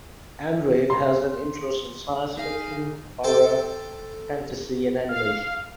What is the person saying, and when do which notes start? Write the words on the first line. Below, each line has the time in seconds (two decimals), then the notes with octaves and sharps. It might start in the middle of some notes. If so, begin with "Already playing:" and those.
Andrade has an interest in science fiction, horror, fantasy and animation.
0.90 C6
2.37 D#4 G#4 F5
3.24 A4 C5 G5
5.09 F5